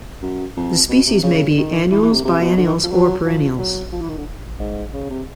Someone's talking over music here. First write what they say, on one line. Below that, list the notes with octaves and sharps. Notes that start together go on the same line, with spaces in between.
The species may be annuals, biennials or perennials.
F#2
F2
B2
C3
C#3
D#3
E3
E3
C3
C3
B2
D3
D#3
F3
F#3
F3
F#3
F3
E3
D#3
D3
G#2
C#3
C3